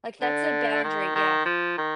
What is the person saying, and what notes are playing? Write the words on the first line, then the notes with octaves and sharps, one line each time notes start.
Like, that's a boundary, yeah.
D3
D#3
D#3
F3
D#3